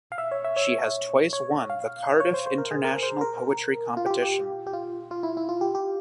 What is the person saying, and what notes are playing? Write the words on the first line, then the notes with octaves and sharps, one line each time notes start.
She has twice won the Cardiff International Poetry Competition.
F5
E5
C#5
E5
C#5
C#5
F5
C#5
C5
C5
A#4
G#4
A#4
C5
A#4
F4
G4
F4
G4
G4
F4
F4
E4
E4
F4
G4
G4